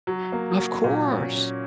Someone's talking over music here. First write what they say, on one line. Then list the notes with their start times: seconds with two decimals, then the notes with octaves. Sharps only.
Of course.
0.07 F#3
0.32 A#3
0.57 F#3
0.84 A#2
1.08 C#4
1.34 C#4